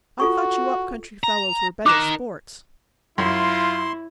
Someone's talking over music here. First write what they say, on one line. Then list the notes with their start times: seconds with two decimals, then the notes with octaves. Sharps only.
"I thought you up-country fellows were better sports."
0.20 F4 F#4 A4 C#6
1.24 A#5
1.86 D#4 A#4 D6 F#6 E7
3.18 F#2 E4 F4 C6